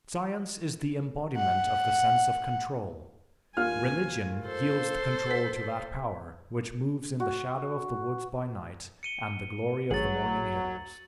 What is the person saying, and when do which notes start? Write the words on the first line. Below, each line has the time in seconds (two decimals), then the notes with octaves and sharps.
Science is the embodiment of the sense of control, religion yields the control to that power which moves in the shadow of the woods by night, and the glory of the morning hills....
1.37 F#5
3.57 D#2 F4 G#5 F6
4.46 A4 C5
5.30 B6
7.20 F#4
9.03 C#7 D#7 G7
9.91 A1 F#3 G#4 F#5 A6 F#7